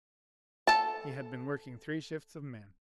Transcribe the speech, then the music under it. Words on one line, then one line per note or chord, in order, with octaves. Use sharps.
He had been working three shifts of men.
A4 A5